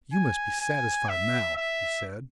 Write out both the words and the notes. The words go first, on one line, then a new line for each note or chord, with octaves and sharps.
"You must be satisfied now," he said.
G#5
G#5
E5
E5